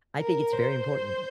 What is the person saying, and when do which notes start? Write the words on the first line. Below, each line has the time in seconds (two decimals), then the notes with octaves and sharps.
I think it's very important.
0.18 A#4
0.52 C5